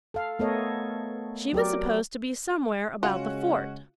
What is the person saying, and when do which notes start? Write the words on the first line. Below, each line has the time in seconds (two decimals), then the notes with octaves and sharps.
She was supposed to be somewhere about the fort.
0.14 A4 F5
0.39 A3 B3 A4 A#4 C#5 D#5
1.53 F#3 G4 A#4 D5
3.03 C#3 G#3 C#4 F4 F#4